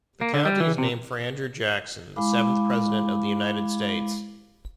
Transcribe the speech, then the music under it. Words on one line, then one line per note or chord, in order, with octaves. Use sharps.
The county is named for Andrew Jackson, the seventh president of the United States.
A#3
D3
G3
E3
C3
G#3 E4 F5 B5 D6